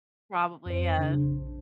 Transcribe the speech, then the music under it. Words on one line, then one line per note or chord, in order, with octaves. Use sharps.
Probably, yeah.
F2 C5
C#3 D4
A#1